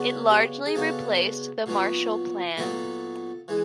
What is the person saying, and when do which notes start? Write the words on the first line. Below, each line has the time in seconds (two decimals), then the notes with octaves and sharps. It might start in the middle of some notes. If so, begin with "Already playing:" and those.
It largely replaced the Marshall Plan.
Already playing: C#3 F#3 B3 D4
0.30 G4
0.66 G#4
0.75 C#3 F#3 B3 D4 A4
1.66 A#2 F#3 B3 D#4
2.57 A#2 F#3 B3 D#4 A4
3.48 E3 G#3